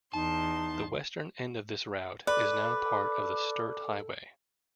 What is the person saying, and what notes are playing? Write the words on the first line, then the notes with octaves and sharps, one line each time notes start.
The western end of this route is now part of the Sturt Highway.
E2 D#4 A5 C6
A4 B4 D5 D6